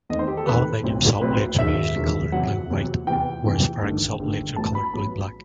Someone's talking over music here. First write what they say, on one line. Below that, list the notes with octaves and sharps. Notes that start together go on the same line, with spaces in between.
Aluminium salt lakes are usually coloured blue-white, whereas ferric salt lakes are coloured blue-black.
E2 D#3 A3 C4 D#5
C5
G4
A4
E2 D#3 A3 C4 B4
B1 A2 F#3 C4
B1 A2 F#3 C4 B4
C5
E1 D#2 D#3 F#3 E5
E1 D#2 D#3 F#3
E2 C3 F#3 F#5
E2 C3 F#3
E2 C3 E3 G5
E2 C3 E3
G1 G2 D#3 A3
G1 G2 D#3 A3
A1 A2 F#3 B3 A5
B5
A1 A2 F#3 B3 B5